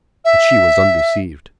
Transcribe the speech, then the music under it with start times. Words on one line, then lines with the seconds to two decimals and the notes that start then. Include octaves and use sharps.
But she was undeceived.
0.24 E5